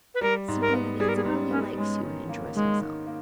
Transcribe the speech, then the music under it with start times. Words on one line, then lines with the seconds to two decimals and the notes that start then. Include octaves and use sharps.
Simply that he thoroughly likes you and enjoys himself.
0.15 B4
0.21 G3 A#4
0.48 G#2
0.61 A#4
0.74 B3
0.99 G3 G#4
1.09 A#4
1.16 G#4
1.25 G#2 D#4
1.51 B3 C#4
1.77 G#3 C#4
2.04 D#3
2.29 A#3
2.55 D#3 G#3
2.81 D#3
3.07 A#3